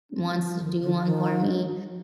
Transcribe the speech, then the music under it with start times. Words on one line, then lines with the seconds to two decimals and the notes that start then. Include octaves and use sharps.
wants to do one for me,
0.36 D#3
0.41 F3
0.61 D#3
0.82 D3
1.04 D#3